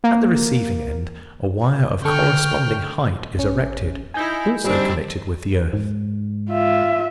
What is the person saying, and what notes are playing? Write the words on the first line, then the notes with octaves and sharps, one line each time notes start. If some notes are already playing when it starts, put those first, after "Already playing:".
At the receiving-end a wire of corresponding height is erected, also connected with the earth.
A#3
D3 A4 G5 C#6 F6
A1 C#4
D#4 E4 G#5 G6
G3 C4 D4 D#4
G#2
F4 E5